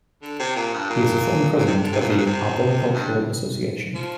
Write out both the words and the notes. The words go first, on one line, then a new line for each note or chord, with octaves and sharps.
He is a former president of the Arboricultural Association.
D3
C3
A#2
G2
A#2
A#2
C3
D3
C3
A#2
G2
A#2
C3
G2
F3